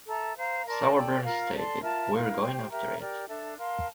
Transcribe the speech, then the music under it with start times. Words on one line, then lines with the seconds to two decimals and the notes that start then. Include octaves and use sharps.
Sauerbrun stated, We're going after it.
0.07 A4 E5 A#5
0.37 C5 F5 A#5
0.66 A#4 D5 A5 C6
0.95 A4 D5 G5
1.24 F4 A#4 F5 A#5
1.54 A4 D5 A5 C6
1.83 F4 A#4 E5 A5
2.11 E4 A#4 F5
2.40 G4 C5 G5
2.70 G4 A#4 E5 A#5
2.99 G4 A#4 D5
3.29 D4 A4 E5
3.58 A#4 F5 A5 C6